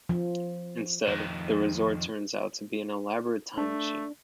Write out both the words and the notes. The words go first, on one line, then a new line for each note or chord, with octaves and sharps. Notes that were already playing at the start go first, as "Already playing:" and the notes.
Instead, the resort turns out to be an elaborate time machine.
F3
F2 D#3
A3 D4